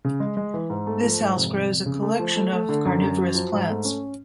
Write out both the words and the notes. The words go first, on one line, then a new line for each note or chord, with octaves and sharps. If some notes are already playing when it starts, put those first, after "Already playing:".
This house grows a collection of Carnivorous plants.
C#3
G#3
G#3
E3
G#2
A3
F3
G#2
F1
F1
F1
C#3
A3
F3
A3
A3
D3
F#2
F#2
F#3
F3
G#2
A3
C#4